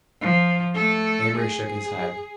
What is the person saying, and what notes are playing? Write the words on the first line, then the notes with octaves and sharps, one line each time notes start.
Amory shook his head.
F3
A3 A4
G#4